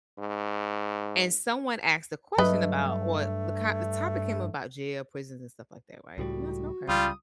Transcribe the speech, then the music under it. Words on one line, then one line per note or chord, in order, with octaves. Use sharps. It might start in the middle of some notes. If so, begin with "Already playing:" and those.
and someone asked the question about what the co the topic came about jail, prisons, and stuff like that, right? And I said, "Okay,"
G#2
G2 F#3 A3 B4 D#5
C#2 A2 G3 F#4
C#2 G3 F4 D#6